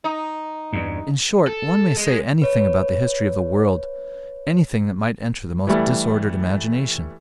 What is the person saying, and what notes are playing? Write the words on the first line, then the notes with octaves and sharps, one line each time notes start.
In short, one may say anything about the history of the world--anything that might enter the most disordered imagination.
D#4
E2 G2
A4
G#3
B4 C#5
E3 G3 A3